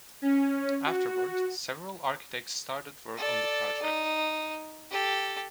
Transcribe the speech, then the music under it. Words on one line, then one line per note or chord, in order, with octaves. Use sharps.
Afterward, several architects started work on the project.
C#4
F#4
A4 D5
D#4
G4 A4